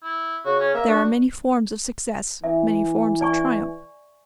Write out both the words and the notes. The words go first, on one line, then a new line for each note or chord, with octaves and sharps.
There are many forms of success, many forms of triumph.
E4
C#3 F#4
C#4
A#3 E5
D4 F#4
E3 E5
D5 G#5 C#6